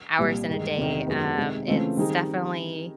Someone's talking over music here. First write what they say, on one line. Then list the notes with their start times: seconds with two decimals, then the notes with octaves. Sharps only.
hours in a day. Um, it's definitely
0.18 C2 A#2 G3
0.48 G2 D#3 G#3
0.78 E2 C3 D#3
1.07 F#2 D#3 G#3 B3
1.37 C3 D#3 G#3
1.68 C#3 E3 A3 C4 F4
1.97 D#3 G3 C4 D#4 G#4